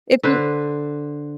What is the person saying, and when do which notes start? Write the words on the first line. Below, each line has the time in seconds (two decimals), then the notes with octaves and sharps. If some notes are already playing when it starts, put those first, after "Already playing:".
if you
0.23 D3 B4 C5